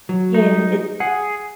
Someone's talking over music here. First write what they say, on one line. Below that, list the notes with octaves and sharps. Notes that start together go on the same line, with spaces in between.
Yeah, it
F#3
D#4
G#4 F#5